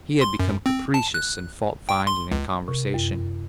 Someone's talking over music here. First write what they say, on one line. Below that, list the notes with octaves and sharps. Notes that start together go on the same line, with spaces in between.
He had become capricious and fault-finding in conversation.
C6
F#2
C4
A5
F#6
G5
C6
C#2
C3
F#2